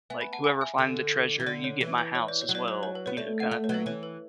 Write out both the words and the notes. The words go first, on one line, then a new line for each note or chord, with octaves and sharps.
like, "whoever find the treasure, you get my house as well," you know, kinda thing.
B3 E5 G#5
G#5 B5
F#5 A5
G#5 B5
E5 G#5
D3
E3
D3 D5
C#5
E3
B4
C#5
D5
C#5
F#3
D5
C#5
C#5
B4
B3 C#5
A3 D5
F#5
A3
C#5
F#3 B4
E3 C#5
B4